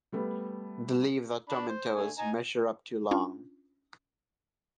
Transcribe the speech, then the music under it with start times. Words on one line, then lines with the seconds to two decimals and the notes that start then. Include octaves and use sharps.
The leaves are tomentose and measure up to long.
0.12 G3 A3 B3
1.49 D4 B5
1.69 C5
1.95 D3 A3 G#5
2.18 D#4 G#5 A#5
3.11 C#4 D4 F4